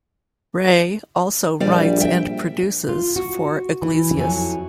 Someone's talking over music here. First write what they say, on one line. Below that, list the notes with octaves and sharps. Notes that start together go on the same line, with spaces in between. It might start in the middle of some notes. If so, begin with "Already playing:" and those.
Rey also writes and produces for Iglesias.
A#1 G3 D5
E5 G5
F4
F#4
E3
F2 F#3 E4 G#5